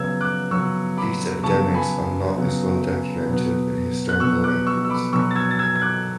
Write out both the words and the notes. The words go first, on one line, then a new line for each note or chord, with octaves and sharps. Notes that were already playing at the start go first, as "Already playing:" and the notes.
These epidemics are not as well documented in historical records.
Already playing: C#3 F#3 B3 E6 G#6
D6 F#6
C#3 F#3 B3 C#6 E6
B5 D6
C#3 F#3 B3 A5 C#6
G#5 B5
C#3 F#3 B3
B2 F#3 B3
F#6
B2 F#3 B3 C#6 E6
D6 F#6
C#6 E6
E6
B5 D6
B2 F#3 B3 C#6 E6
A6
E6 G#6
A6
E6 G#6
G#6
D6 F#6